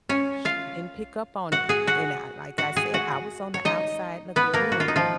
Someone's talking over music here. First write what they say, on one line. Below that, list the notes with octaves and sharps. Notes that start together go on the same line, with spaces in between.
She didn't pick up on it. And I like I said, I was on the outside looking in,
C#4 C#5
F4 F5
F#4 F#5
G#4 G#5
F#4 F#5
F#4 F#5
G#4 G#5
F#4 F#5
C#5
D#4 D#5
B3 B4
A#3 A#4
F#4
F4
D#4
F3 F4